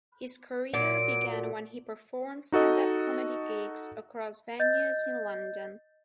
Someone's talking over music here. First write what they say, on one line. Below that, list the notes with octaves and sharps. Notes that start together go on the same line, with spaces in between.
His career began when he performed stand-up comedy gigs across venues in London.
A#2 F#3 D7
D#4 F#4 A4 D#5
D#5 G6 A6